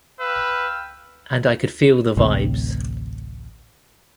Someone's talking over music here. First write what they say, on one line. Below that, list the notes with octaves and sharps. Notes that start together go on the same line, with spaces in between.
And I could feel the vibes.
B4 F5 G5 E6
A1 D2 A2 C3